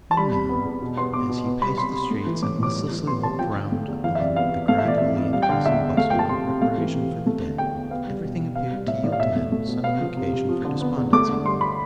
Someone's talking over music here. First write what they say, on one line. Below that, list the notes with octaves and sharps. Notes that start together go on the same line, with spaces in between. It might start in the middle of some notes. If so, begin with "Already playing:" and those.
And, even now, as he paced the streets, and listlessly looked round on the gradually increasing bustle and preparation for the day, everything appeared to yield him some new occasion for despondency.
A5
G3 B5
C3
B3
E2
B2
B3 C6
B3 D6
B2
B3
G3 B5
C3 C6
C3
A3
E3
A2 D6
A2 D6
G3
E3
B3 C6
C3 A5
F3 G5
D3
A3
E2
E3 F5
E5
C3 D5
B3 F5
E2
A3 F5
E5
E3 D5
F2 E5
F2
G3 F5
G5
D3 F5
E2 E5
E2
A3 F5
F3 G5
A5
C3 C6
C3
A3 F5
E3
C3
C3
A3
D3
E2 G5
E2
B3 F5
G3
B2
B2
B3 F5
G3
A2 E5
A2 D5
F5
B2 E5
A3
A3
B2
B3 F5
F3
C3
C3
F3
D3
B3
E2
A3 D6
D3
G2 C6
B5